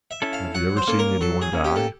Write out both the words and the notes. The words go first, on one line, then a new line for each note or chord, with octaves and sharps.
"Have you never seen any one die?"
E5
C#4 E4 A4
F5
F#3 F#5
C5
A#3 C#4 A4
A#4
F#3 A4
G#4
A#3 C#4
G4
A4